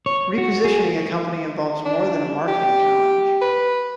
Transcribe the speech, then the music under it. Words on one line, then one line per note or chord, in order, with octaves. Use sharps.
Repositioning a company involves more than a marketing challenge.
C#5
F#4
G#4
D4
G4
B4